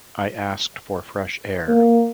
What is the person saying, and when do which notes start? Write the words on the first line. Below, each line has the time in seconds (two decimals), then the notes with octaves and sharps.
I asked for fresh air.
1.68 A#3